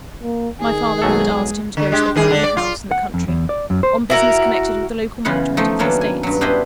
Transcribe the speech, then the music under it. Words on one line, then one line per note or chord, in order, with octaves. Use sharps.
My father had asked him to go to the family house, in the country, on business connected with the local management of the estates.
A#3
D#3 G#4
B1 F#3 G#3 A4
D3
G#3 G4
D#3 G#4
D3 D4
D5
F4
F#5
F2
E2
D5
F#2
C5
E4 F#4 A#4
C#3 E3 B3 F4 F#5
F3 A3 D#4
D#3 F#3 A#3 B3 C#4 D4
G#5
G2 F#3
B3 D4 E4 G4 C5 D#5